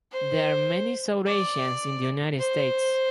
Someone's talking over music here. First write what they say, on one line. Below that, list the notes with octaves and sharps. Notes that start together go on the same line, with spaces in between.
There are many South Asians in the United States.
C5
D5
C5